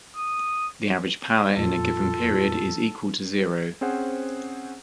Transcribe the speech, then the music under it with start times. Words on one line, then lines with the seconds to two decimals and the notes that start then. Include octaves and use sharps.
The average power in a given period is equal to zero.
0.16 D#6
1.57 F2 A#2 F3 F4 A4
3.81 C4 C#4 G#4 C5 F#5